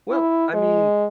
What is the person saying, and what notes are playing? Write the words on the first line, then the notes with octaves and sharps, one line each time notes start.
Well, I mean,
E4
G#3